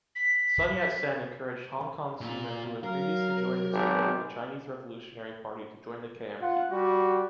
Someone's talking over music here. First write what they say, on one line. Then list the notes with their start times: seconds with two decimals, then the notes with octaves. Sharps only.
Sun Yat-sen encouraged Hong Kong seamen who had previously joined or supported the Chinese Revolutionary Party to join the KMT.
0.15 B6
2.21 A#2 F4
2.84 F#3 A#4 F5
3.73 G#1 G4
6.42 F4 F#5
6.71 G3 F#4